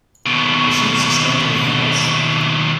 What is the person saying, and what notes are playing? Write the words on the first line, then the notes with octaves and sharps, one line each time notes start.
The shoots are slender and hairless.
D#2 B2